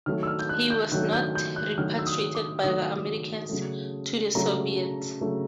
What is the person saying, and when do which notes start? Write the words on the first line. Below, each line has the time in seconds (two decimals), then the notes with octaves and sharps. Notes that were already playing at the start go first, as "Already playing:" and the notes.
He was not repatriated by the Americans to the Soviets.
0.06 D#3 F#3 A3 F6
0.23 E6
0.27 F6
0.39 G6
0.49 F#6
0.70 G6
0.92 D#3 F#3 A3 F#6
1.13 G6
1.35 G6
1.56 F#6
1.78 D#3 F#3 A3 F6
1.99 E6
2.07 D#6
2.35 D6
2.64 D#3 F#3 A3 D#6
3.49 C#3 F#3 A3
4.35 C#3 F#3 A3 A#5
5.21 C#3 F#3 A3